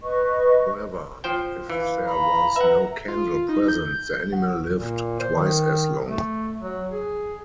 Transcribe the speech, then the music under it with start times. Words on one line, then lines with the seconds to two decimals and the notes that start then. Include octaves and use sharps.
However, if there was no candle present the animal lived twice as long.
0.02 B4 D#5 C#6
1.24 F3 C5 G5
1.70 E3 F5
2.07 A#5 B5
2.56 B4 E5 F#5
3.08 F4
3.49 D#4
3.68 G6
4.32 F#4
4.77 A#2
5.20 C5
5.35 D#3
6.08 A3
6.61 F#3
6.90 G#4